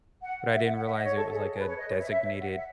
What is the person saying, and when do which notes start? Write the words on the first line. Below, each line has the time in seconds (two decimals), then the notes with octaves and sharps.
but I didn't realize it was, like, a designated
0.23 F#5
0.54 E5
0.65 F#5
0.75 F#5
0.86 E5
0.96 D#5
1.06 C#5
1.16 A4
1.33 G#4
1.58 B4
1.68 C#5
1.79 D#5
1.89 C#5
2.00 E5
2.10 E5
2.41 F#5
2.57 E5